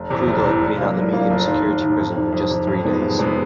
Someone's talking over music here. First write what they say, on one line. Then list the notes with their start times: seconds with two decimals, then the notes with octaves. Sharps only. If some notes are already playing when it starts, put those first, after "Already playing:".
Krugel had been at the medium security prison for just three days.
Already playing: F1
0.10 E2 C3 E3
0.27 F1
0.44 E2 C3 E3
0.61 A2
0.78 F#3 A#3 D4 F4
0.96 A2
1.13 F#3 A#3 D4 F4
1.30 F1
1.47 D#2 D#3
1.64 F1
1.81 D#2 D#3
1.99 F2
2.16 C3 D#3
2.33 F2
2.50 C3 D#3
2.67 F2
2.84 C3 D#3 G#3 B3
3.02 F2
3.19 C3 D#3 G#3 B3